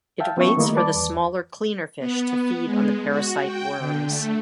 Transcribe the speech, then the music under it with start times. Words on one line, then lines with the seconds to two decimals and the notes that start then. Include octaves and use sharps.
It waits for the smaller cleaner fish to feed on the parasite worms.
0.20 E5 F5 G5 A5
0.37 F3 B3 C#4 F4 E5 C#6
0.57 D#3 G3 A3 A#3 E4 D#5
0.75 B4 D5 A5 D6
0.95 E2
1.99 B3
2.64 G#3
3.08 F#4
3.45 G5
3.78 D3
4.08 A3